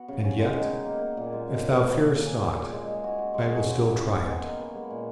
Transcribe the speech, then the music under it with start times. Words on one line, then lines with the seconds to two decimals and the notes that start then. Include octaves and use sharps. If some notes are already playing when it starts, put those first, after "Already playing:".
And yet, if thou fear'st not, I will still try it.
Already playing: B3 F#4
0.08 C#3
0.24 C#4
0.39 G#3
0.55 D#3
0.70 D#4
0.85 A#3
1.01 A#3
1.17 A#2
1.33 G#3
1.48 C#4
1.64 C#4
1.79 A#3
1.95 A#3
2.10 A#3
2.26 G#4
2.41 A#2
2.57 G#4
2.72 G#3
2.87 G#3
3.04 F#4
3.18 F#4
3.34 G#3
3.50 G#3
3.65 C#3
3.81 E3
3.96 B3
4.12 G#4
4.28 D#3
4.43 A#3
4.59 B3
4.75 G#3
4.90 A#2